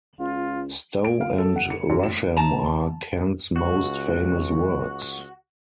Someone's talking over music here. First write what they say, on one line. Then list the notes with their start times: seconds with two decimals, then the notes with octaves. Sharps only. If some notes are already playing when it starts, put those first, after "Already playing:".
Stowe and Rousham are Kent's most famous works.
0.19 C#2 F4
1.05 D7
1.21 F5
1.38 A4
1.56 F#5
1.70 C#7
1.90 F#2
2.03 E7
2.37 A5 A#5
3.56 C#2 F#4